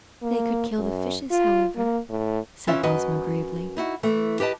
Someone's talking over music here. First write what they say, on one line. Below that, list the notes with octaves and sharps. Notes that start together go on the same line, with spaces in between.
"They could kill the fishes, however," said Ozma gravely.
A#3
F#2
F4
A#3
A2
E3 C#4 F4 E5
F#2 F#4 B4 D#5
D#4 E4 F#4
E3 A3
G4 B4 D#5 A5